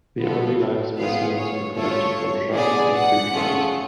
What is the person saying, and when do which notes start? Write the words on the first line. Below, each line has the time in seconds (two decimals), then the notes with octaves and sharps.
The only live specimens were collected from shrubs and tree trunks.
0.20 B3 F4 A4
0.97 B3 F4 G#4 F5
1.36 C#5
1.75 A3 F4 A4 C#5
2.54 B3 D4 G#4 D5
2.93 F#5
3.31 A3 C#4 F4 G#4